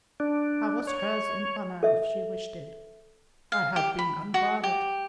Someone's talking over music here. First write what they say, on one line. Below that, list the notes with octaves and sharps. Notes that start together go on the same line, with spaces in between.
I was hers in honour if she wished it. I had been unguarded.
D4
C#5
A4 E5
F5
G4
B5
F#4
G4